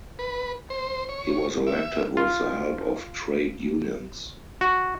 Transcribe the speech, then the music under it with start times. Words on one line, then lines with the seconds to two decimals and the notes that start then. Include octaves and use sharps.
He was elected with the help of trade unions.
0.19 B4
0.70 C5
1.09 C#5
1.67 E5
2.17 F4
4.61 F#4